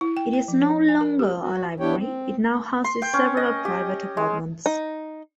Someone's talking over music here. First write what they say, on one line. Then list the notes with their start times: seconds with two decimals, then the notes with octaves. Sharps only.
It is no longer a library, it now houses several private apartments.
0.01 E4
0.17 G5
0.33 G5
0.48 F3
0.61 C#5
0.89 G#5
1.01 A#4
1.19 G4
1.42 F#4
1.80 B3 D4 E4 G4 C#5 G5
1.97 C4
2.84 C6
3.02 G5
3.14 C#4
3.37 D#5
3.65 G4
4.17 G#3
4.66 D#4